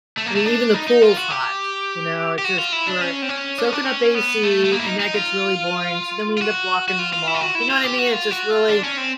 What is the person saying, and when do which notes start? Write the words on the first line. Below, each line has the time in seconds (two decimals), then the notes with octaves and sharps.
I mean, even the pool's hot, you know, it just we're soaking up AC, and that gets really boring, so then we end up walking in the mall, you know what I mean, it's just really
0.17 A3
0.26 A#3
0.35 A3
0.45 D4
0.74 D#4
0.88 D#4
1.02 F4
1.17 F#4
1.30 G4
2.38 G4
2.44 F#4
2.59 F4
2.73 E4
2.87 D4
3.01 C#4
3.22 C4
3.29 C#4
3.58 D4
3.65 C#4
3.73 D4
3.86 C#4
4.15 B3
4.44 A3
4.64 A3
4.72 A#3
4.79 E4
4.86 D#4
5.00 D#4
5.14 F4
6.37 F4
6.42 F#4
6.88 F#4
6.99 F4
7.13 F4
7.27 E4
7.35 F4
7.41 F#4
7.55 E4
7.70 F4
7.84 G4
7.99 F#4
8.13 F4
8.31 F#4
8.51 F4
8.69 D4
8.84 C#4
8.97 C4